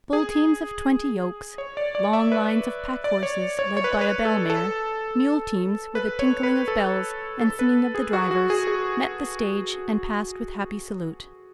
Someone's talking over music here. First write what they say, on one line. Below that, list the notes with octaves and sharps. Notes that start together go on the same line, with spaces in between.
Bull-teams of twenty yokes, long lines of pack-horses led by a bell-mare, mule-teams with a tinkling of bells and singing of the drivers, met the stage and passed with happy salute.
G#4
C#5
D5
D5
E5
B4
D5
C#5
C#5
C#5
B4
C#5
B4
A4
A4
B4
C#5
B4
A4
A4
B4
G#4
F#4
F#4
G#4
G#4